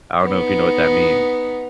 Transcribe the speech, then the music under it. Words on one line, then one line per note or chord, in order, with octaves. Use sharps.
I don't know if you know what that means
B3 D#4